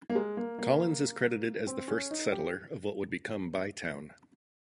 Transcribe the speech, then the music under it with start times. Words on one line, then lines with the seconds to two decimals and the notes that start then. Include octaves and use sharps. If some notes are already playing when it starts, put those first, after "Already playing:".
Collins is credited as the first settler of what would become Bytown.
0.10 A#3
0.15 G#3
0.37 A#3
0.59 A#3
1.67 C4
1.88 C#4
2.11 D#4
2.32 G4